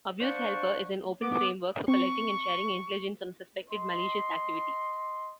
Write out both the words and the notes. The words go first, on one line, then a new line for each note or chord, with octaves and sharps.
AbuseHelper is an open framework for collecting and sharing intelligence on suspected malicious activity.
D4 C5 D5 F5 F#5 C#6
B3 D6
C4 C#6
D#5 C6